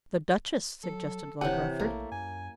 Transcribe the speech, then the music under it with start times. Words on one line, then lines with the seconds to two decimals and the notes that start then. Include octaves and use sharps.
"The Duchess!" suggested Lord Rufford.
0.84 F#3 A4
1.41 D1 C3 E3 C#5 F#5 A5
1.80 A#1 A3 A#3
2.12 F#2 G#5